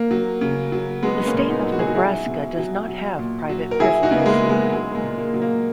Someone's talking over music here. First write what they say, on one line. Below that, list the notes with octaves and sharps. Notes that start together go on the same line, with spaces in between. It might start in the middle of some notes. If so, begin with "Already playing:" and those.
The state of Nebraska does not have private prisons.
Already playing: A#3
F#3
C#3
F#3
F#3 G#3 B3
B3
A#3 C#4
A#2
B3 D#4
F#3
F#4
G#4
D#4 F#4
F#3 E4 G#4
B2
F#3
F#3
A#2
F#3
A#4
F#3 E4 G#4
D#4 F#4
C#3 B3
A#3
G#3
F#3
G#3 B3
F#3 G#3
A#3
G#3
A#2
A#3
F#3
A#3